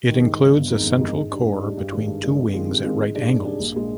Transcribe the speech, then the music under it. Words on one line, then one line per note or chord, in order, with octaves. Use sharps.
It includes a central core between two wings at right angles.
D#3 G3
G#2
D#3 G3
G1
F2 D#3 G#3 D#4
G1
F2 D#3 G#3 D#4
G#2
G3 D4
G#2
G3 D4
G2
D#3 G#3 D4
G2
D#3 G#3 D4
C3
D#3 G#3 C4 F4
C3
D#3 G#3 C4 F4
G#2
G3 D4 G#4
G#2
G3 D4 G#4
A#1
A#2 G#3